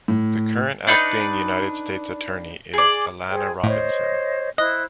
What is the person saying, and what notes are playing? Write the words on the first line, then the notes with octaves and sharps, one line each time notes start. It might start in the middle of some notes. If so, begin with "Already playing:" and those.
The current Acting United States Attorney is Alana Robinson.
A2
D4 D#4 B4
G#4 D5
G#4 C5 G5
A2 C5 C#5 D#5
E4 C5 D#5 F#6